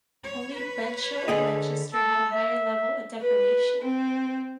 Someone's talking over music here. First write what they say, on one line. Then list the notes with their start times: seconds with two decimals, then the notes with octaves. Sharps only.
Only Benchill in Manchester had a higher level of deprivation.
0.24 C#5
0.55 B4 C#5
1.28 D3 G#4 D#5
1.94 A4
2.32 E5
3.21 B4
3.80 C4